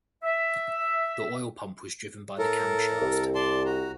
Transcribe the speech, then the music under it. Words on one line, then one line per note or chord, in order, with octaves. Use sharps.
The oil pump was driven by the camshaft.
E5
A2 A4 A#4
C2
D5 A5 C6
F#4 A#5